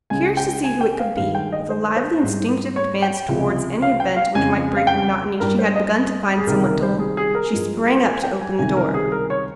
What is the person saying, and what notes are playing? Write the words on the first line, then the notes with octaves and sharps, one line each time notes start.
Curious to see who it could be, with a lively instinctive advance towards any event which might break the monotony she had begun to find somewhat dull, she sprang up to open the door.
C#2 C#3 G#3 G#5
G5
G#5
G5
F5
G2 D#3 G#3 F5
G5
D#5
C5
C5
G#2 G3
C#5
G5
C#2 C3 F3
F5
G5
F5
F2 C#3 G#3 G#5
F5
G5
G2 G3 A#4
C5
D#5
G#4
C#2 C3 D#3 G3 A#4
A#4
C5
G#4
G#4
A#4
G2 F3 G#3
G#5
G5
G#5
C#2 C3 D#3 G3 G#5
A#4
G#4
A#4
C#5